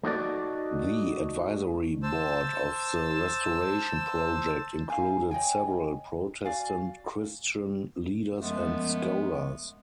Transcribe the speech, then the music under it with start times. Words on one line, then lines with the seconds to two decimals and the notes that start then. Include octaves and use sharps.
The advisory board of the restoration project included several Protestant Christian leaders and scholars.
0.03 A3 D#4 F#4 D5
2.03 C5 A5 E6
4.90 D#4 F5 G#5
5.31 C#5 D#5 G5 G#5
6.45 F#4 D5 F5 G#5
8.41 F#2 F3 G#3 A3 B3